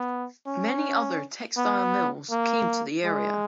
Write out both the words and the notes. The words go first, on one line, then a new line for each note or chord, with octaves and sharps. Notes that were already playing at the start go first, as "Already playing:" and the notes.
Many other textile mills came to the area.
Already playing: B3
C#4
B3
A#3
G#3